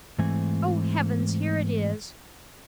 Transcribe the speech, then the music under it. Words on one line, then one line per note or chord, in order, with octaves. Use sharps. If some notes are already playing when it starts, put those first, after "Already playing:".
"Oh, heavens, here it is!"
G#2 E3 A3 C4 G#5